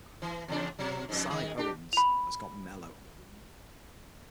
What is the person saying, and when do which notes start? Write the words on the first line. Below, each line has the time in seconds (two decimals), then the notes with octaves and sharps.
Xia Owens has got mellow.
0.22 E3
0.48 E2 C#3 D4
0.79 B2 F#3
1.09 F2 G#2
1.30 D#3 G#3 G#4
1.57 D4 G4
1.93 B5 F7